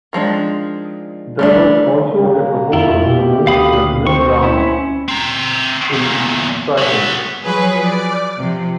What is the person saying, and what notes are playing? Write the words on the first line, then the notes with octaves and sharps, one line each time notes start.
There was also a proposal to move to a new ground in Sighthill.
D#3 F3 G#3 D4
G3 A3 D4
C#3 A#3
F2 E4 F4
B2 G4
D2 F5 B5 D#6
C4 C#6
C#4 E4
C4 A#5
E2 A#2
F#3 B3
F3 F#3 G#4 B4 C#5
D5
C3 F3